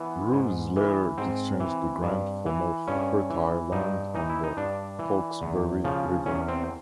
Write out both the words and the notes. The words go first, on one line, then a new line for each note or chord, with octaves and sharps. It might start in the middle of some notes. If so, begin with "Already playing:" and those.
Ruse later exchanged the grant for more fertile land on the Hawkesbury River.
Already playing: E3 B3
G#2
E3
G#2 C4
E3
G2
E3
G2 C#4
E3
G2 D#4
E3 D#4
E4
D#4
G2 D4
E3
E2
C#3 F3
E2 C#4
C4